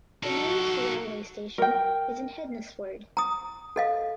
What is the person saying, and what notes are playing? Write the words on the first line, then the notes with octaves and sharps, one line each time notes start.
The nearest railway station is in Hednesford.
D#4 F#4 A4
A#4 G5
A#5 D#6
A4 D#5 F5